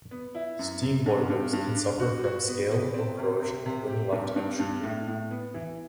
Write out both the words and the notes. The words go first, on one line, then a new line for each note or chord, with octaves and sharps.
Steam boilers can suffer from scale or corrosion when left untreated.
B3
E4
F#2
F#2
G2
G2
G2
D4
F#4
F#4
B3
B3
C4
C3
C3
C3
G4
G2
G2
G2
A2
A2
B3
E3